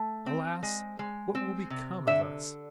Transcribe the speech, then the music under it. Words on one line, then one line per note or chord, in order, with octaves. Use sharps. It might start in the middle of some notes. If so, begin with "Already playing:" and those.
Alas, what will become of us?
Already playing: A3
C4
G#3
G#3
C4
C3
D3 E5